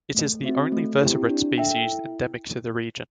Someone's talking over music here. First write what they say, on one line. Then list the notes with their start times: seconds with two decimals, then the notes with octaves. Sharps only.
It is the only vertebrate species endemic to the region.
0.15 A3
0.43 C4 F#4 C5 E5
0.72 A3
1.00 C4 E4 G4 C5
1.29 D4
1.58 A4 E5 G5
1.86 E4